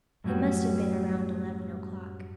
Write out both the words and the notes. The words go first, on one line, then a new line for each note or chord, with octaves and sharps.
It must have been around eleven o'clock.
F#2 A2 F#3 G3 F#4